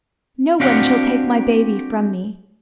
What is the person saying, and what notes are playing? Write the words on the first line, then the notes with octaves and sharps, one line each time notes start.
No one shall take my baby from me.'
C4 D4 F#4 G4 F5 F#5